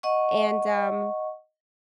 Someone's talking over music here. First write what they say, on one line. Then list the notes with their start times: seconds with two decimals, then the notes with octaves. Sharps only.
And, um,
0.03 D#5 F#5 C#6